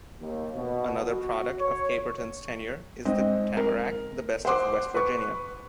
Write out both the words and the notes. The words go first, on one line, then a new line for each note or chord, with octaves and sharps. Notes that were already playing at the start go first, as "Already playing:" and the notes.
Another product of Caperton's tenure is the "Tamarack, the Best of West Virginia".
D#2
B2
F#4
C#5
G#2 C4 D#5
A#4
C5 F#5 C6 D6
B4 C#6